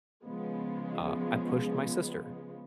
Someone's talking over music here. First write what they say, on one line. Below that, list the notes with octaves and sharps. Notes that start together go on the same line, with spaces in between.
uh, I pushed my sister,
C#3 F3 G#3 B3